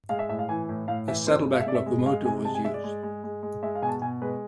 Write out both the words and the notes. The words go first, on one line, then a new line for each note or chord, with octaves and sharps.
A saddleback locomotive was used.
G#3 F5
E5
A2 E5
F5
E3 G#5
A2
A2 F5
E3 E5
C3 C5
G#3
F5
E5
C3 D5
E5
G#3
G#3 F5
C3 G#5
G#3 A5
G#5
G#3 E5
D5
G#3
G#3
G#3
G#3
G#3 E5
F5
B2 G#5
A5
B2 G#5
G#3 B4